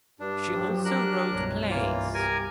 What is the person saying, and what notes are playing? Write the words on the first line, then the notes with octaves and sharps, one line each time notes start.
She also wrote plays.
G2 D4
F3 F#3 G4
D4 G4 A#4 F#6
C2 G2 B2 C#5
E3 A#3 F4
G4 A#4 G#5